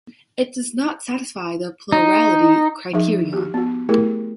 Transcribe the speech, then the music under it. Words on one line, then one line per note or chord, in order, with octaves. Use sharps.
It does not satisfy the plurality criterion.
D#4
F3 D#4 G#4 E5
F#4 G4
B3 F#4
A3 E4 G4 G#4 A#4